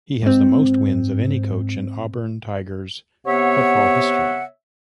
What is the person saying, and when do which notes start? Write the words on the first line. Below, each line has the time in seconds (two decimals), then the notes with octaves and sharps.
He has the most wins of any coach in Auburn Tigers football history.
0.23 G#2 C4
3.26 C3 B3 C#5 E5 F#5